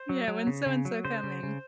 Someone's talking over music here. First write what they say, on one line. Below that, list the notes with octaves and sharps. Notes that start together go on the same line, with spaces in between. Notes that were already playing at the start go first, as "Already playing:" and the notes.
Yeah, when's so-and-so coming.
Already playing: C5
F#3
F#3
C#3
C#3
F#3
C#3 C5
C#3
C#3